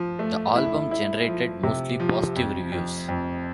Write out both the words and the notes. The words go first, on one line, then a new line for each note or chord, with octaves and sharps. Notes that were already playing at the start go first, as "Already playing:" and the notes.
The album generated mostly positive reviews.
Already playing: F3
A3
E4
E4
F3
C3
F3
F2
F2
F2